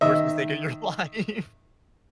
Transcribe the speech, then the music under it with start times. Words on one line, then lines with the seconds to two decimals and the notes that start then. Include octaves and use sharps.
Worst mistake of your life.
0.01 D#3 D#5 E5